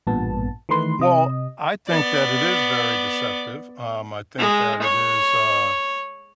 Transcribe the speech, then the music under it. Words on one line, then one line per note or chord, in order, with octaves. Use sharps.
Well, I think that it is very deceptive. Um, I think that it is, uh,
A1 G2 A#2 B3 A5
D#3 E3 A3 B4 C6
C3 D#5
B3 D5
G#3
C#5